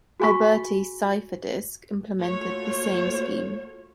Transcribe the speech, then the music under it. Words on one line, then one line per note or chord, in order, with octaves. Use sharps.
Alberti's cipher disk implemented the same scheme.
F#4 G#4 G#5 B5 C#6 B6
A3 A#3 F4 F#4 C#5